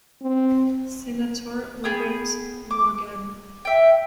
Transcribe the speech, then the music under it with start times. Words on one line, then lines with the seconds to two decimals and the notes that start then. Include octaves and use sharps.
Senator Robert Morgan.
0.22 C4
1.84 B3 G#4 G5 D#6
2.71 D6
3.65 E5 G5